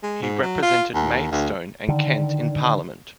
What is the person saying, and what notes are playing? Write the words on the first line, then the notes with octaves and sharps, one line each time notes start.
He represented Maidstone and Kent in Parliament.
G#3
G#2
F#3
F4
D#2
D2
D3 D#3